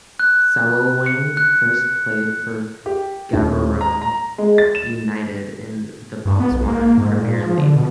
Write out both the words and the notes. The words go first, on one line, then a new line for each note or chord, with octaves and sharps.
Selolwane first played for Gaborone United in the Botswana Premier League.
F#6
C#7
F#6
G4
D#1
A#5
A#5
G#3
A6
E7
G2
B3
B1
A#3
G#2
A#2
F3
D3
B2